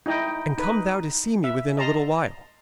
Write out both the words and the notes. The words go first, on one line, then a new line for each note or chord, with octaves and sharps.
And come thou to see me within a little while.'
D#4 E4 D#5 G5
D#4 B4
E5
D#5 A5 A#5 C6